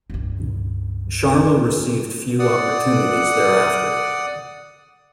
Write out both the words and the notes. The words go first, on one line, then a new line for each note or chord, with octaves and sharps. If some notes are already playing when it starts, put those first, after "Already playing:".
Sharma received few opportunities thereafter.
C#2 G2
D5 F#5 D#6